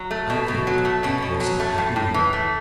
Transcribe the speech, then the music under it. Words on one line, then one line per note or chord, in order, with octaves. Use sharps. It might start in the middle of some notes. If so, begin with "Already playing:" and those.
I think it was a happy home.
Already playing: F#3
A3
B2
B2
F#3
A3
B2 C#4
B2
F#3
A3
A2
A2
E3
A3